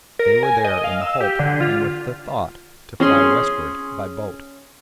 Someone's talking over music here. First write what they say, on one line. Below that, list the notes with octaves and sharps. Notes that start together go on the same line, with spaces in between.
They were there in the hope, and with the thought, to fly westward by boat.
A#4
G#5
D#5
F5
E6
G4
D3
F4
C#4 G#4 C6